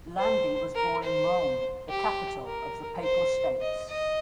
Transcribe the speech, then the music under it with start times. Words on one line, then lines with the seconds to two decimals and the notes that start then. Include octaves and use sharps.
Landi was born in Rome, the capital of the Papal States.
0.18 C5
0.75 A#4
1.03 C5
1.90 G4
2.46 A#4
3.03 C5
3.61 D#5
3.88 D#5